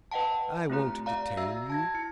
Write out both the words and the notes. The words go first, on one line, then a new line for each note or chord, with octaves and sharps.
I won't detain you.'
B4 D#5 F#5 G5 A5
A3 C4 F4 G4 A#5 F#6
D5 F5 A#5
F#4 E5 A#5 E6 A#6
A5 G#6 A#6
E4 C#7